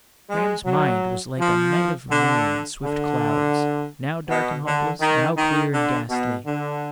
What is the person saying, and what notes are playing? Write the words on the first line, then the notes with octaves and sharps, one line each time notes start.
Graham's mind was like a night of moon and swift clouds, now dark and hopeless, now clear and ghastly.
G#3
F#3
F3
D3
D3
B2
D3
D#3
D#3
D3
B2
D3